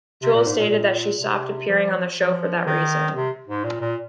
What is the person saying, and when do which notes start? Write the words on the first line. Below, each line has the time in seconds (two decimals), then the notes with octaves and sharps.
Jewell stated that she stopped appearing on the show for that reason.
0.22 C3
0.34 A#2
0.47 G#2
0.58 A#2
0.71 A#2
1.20 C3
1.69 F3
2.18 F3
2.66 D#3
3.16 C3
3.48 G#2
3.64 A#2
3.81 A#2